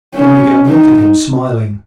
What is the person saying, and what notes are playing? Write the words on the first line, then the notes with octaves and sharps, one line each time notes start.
Don Miguel looked at him, smiling.
C#4
D#4